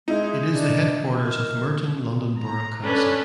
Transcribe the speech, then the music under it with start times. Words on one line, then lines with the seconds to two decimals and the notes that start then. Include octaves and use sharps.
It is the headquarters of Merton London Borough Council.
0.08 G#3 D#4 E4
0.53 D4
1.24 A#4
2.39 A#5
2.81 C#4 D4 A4 B4